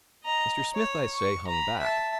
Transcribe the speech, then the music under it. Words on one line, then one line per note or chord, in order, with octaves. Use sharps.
Mr. Smith, I say, hung back.
D#5 A#5
C#5
C#6
A#5 B5
E5 A5